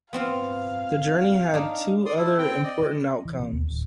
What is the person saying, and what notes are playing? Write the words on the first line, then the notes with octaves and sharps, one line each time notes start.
The journey had two other important outcomes.
B3 C4 F4 F5
D4 D#4
D5 C6 D#6
E4 A4
C4 G5
D5 D#5
E3
C3
D#2
D1